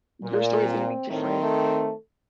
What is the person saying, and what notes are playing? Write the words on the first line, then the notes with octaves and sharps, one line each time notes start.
Their story is gonna be different,
A#2
C4
A2 D#3 C4
A3